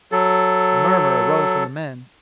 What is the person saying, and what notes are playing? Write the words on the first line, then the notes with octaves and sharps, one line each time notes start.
A murmur arose from the men.
F#3 A4